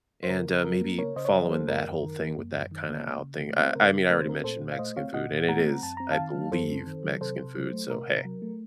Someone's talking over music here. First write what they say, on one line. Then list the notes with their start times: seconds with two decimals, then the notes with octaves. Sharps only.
and, uh, maybe following that whole thing with that kinda out thing. I I mean, I already mentioned Mexican food and it is, I believe, Mexican food, so, hey,
0.23 C5
0.29 C#3 A#4
0.47 C#3
0.64 F#3 A#4
0.81 A#3
0.98 C#3 A#4 C#5
1.16 C#3 C5 D#5
1.25 C#5
1.33 F#3 C5 D#5
1.50 A#3 A4 C5
1.68 F#2 A#4
1.85 F#2
2.03 D#3
2.20 A#3
2.37 F#2
2.54 F#2
2.71 D#3
2.89 A#3
3.06 C#3
3.24 C#3
3.41 A3
3.58 C4
3.64 C5
3.75 C#3 A#4
3.93 C#3
4.10 A3 A#4
4.19 C5
4.27 C4 A#4
4.44 A#2 A4 C5
4.62 A#2
4.72 F5
4.79 A3 C5 D#5
4.96 C4 C#5 F5
5.14 A#2 D#5 F#5
5.31 A#2
5.48 A3 F#5 A#5
5.66 C4
5.83 F#2 A5
5.97 C4 A#5
6.11 F5 A5
6.18 D#3
6.34 F#3
6.52 F#2 A4 C5
6.70 C4
6.86 D#3
7.04 F#3
7.21 C3 A4 C5
7.39 C3
7.56 F#3
7.73 A3
7.90 C3 A#4
8.08 C3
8.25 F#3
8.42 A3